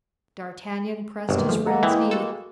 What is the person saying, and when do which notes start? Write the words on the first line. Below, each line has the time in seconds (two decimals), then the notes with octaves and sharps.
D'Artagnan pressed his friend's knee.
1.29 G1 F#2 B2 D#3 G#3 A#3
1.47 F2 F3 A3
1.66 G#3 A#3 A4 F#5 A#5
1.83 E3 E4 G5 B5 D#6
2.11 F#4 A4